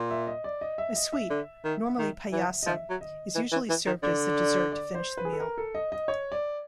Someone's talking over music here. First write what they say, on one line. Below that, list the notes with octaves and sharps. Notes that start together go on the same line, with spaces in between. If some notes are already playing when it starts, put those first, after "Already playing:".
A sweet, normally "Paayasam" is usually served as a dessert to finish the meal.
Already playing: A#2
E5
D#5
D5
D#5
E5
D#5
E5
D3
D#3
D#3
E3
D#5
F3 E5
F#3
D#5
E3
E3
E3
D#3
D3 D5
D5
D5
C5
B4
G#4
A4
A#4
A4
D#5
D#5
C#5
D5